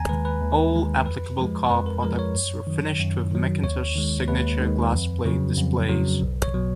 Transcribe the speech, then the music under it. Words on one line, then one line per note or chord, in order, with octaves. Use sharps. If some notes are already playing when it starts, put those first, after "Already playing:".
All applicable car products were finished with McIntosh's signature glass plate displays.
Already playing: D#2 G#5 A#5
D#3 G#3 B4
B4
D#2
D#3 G#3
F2 B4
F3 G#3
F2 B4
A#4
F3 G#3 A#4
C#5
F#2
D#3 F#3
F#2
D#3 F#3
D#2 C#5
D#3 G#3
D#2 B4
D#3 G#3
F2
C#3 F#3
F2
C#3 F#3
B1
C#5
B2 F#3